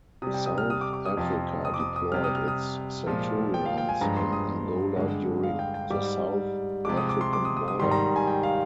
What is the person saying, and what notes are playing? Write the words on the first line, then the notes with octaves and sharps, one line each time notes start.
South Africa deployed its Centurions in Angola during the South African Border War.
C3 G3 D#6
G5
D#6
F6
D#6
D6
D6
D#6
F2 C3 F3
D#6
D6
D#6
D#6
C3 G3 F6
D#6
F6
D#6
A#2 F3 G#3
G5
F5
G5
G#5
G2 F3 G#3 A#5
C6
D#6
G2 D3 G#3
F5
G5
G5
G#2 G3 D6
C3 F3 G#3 D6
D#6
D6
C6
D6
D#6
D#6
D#6
G#2 D#3 G3 C6
A#5
G#5
G5
F5